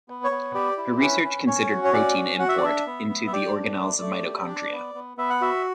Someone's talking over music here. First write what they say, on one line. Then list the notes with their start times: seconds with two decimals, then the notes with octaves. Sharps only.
Her research considered protein import into the organelles of mitochondria.
0.09 B3
0.24 C#5
0.31 B3
0.54 G4 D5
0.77 E4
1.00 C#4 B4
1.24 C#4
1.47 C#4 C#5
1.70 F#4
1.84 C#5
1.93 C#4 D5
2.17 F#4
2.39 F#4 F#5
2.49 E5
2.57 D5
2.63 D4 E5
2.86 B3
3.09 B3
3.27 E5
3.33 G4 D5
3.55 D4
3.79 A3
4.02 A3
4.25 G4
4.48 D4
4.72 B3
4.94 B3
5.17 B3 E5
5.30 F#5
5.41 F#4 E5